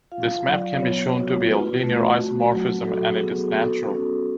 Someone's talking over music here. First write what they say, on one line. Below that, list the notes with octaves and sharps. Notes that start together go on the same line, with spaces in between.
This map can be shown to be a linear isomorphism, and it is natural.
F4 F5
F#3 D5
B3 C#5
F#4
F4 B4
A3
F#4
F#3
F#4 A4
G#4
B3
G#4
F#4 A4
C#4